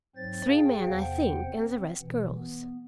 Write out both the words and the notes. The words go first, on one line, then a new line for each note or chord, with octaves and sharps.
Three men, I think, and the rest girls.
G#2 F#3 C4 C5 A6
G#4 F5 G5 A5
E2 C3 C5 F#5 G5
C4
B2 E3
B3